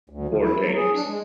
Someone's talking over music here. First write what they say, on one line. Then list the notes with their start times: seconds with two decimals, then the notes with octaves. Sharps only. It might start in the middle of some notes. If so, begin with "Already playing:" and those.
board games.
0.10 D2
0.29 F3
0.42 E4
0.63 F#3
0.75 G#4
0.94 D4
1.06 G#3